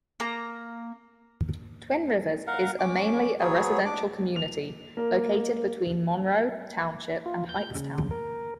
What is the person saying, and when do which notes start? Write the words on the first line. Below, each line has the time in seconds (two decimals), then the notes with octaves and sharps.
Twin Rivers is a mainly a residential community located between Monroe Township and Hightstown.
0.20 A#3 A#5
2.47 A#4 F5 F#5
2.79 C#4 D6
3.40 F#3 B3 G#4 C#5
3.85 D4 D6
4.36 F7
4.97 A#3
7.26 F4
7.49 G6
7.76 C#3
8.11 A#4